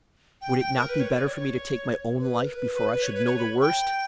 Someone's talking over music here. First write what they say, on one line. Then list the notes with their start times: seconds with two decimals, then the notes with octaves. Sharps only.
Would it not be better for me to take my own life before I should know the worst?
0.41 G5
0.58 G5
0.77 A#4
0.89 B4
1.00 C#5
1.13 D5
1.25 C#5
1.36 C#5
2.20 B4
2.45 A#4
2.55 B4
2.73 B4
2.91 B4
3.02 C#5
3.14 B4
3.26 C#5
3.38 B5
3.62 G5